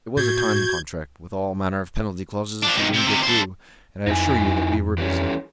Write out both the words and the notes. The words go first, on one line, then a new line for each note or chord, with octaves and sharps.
It was a time-contract, with all manner of penalty clauses if we didn't get through; and I assure you that we were busy.
A2 F#4 G6 G#6
F3 D4
B1 D#3
C3 C4
D2 C3
A4 C5
F2 D#4 E4 G#5
E3 G3 C#4